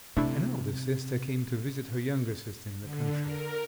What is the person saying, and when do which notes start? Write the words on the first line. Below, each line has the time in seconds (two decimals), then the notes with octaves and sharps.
An elder sister came to visit her younger sister in the country.
0.17 C3 A3 D4 E4
2.81 D3
3.20 A#4